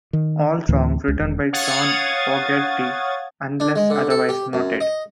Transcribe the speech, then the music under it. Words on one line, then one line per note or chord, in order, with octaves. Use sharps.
All songs written by John Fogerty, unless otherwise noted.
D#3
D2 A2 D3 E3
C#2
E1
C#5 F5 F#5 D#6 G#6 A6
D4
G#3
D3
A4
G4
F#2
D#5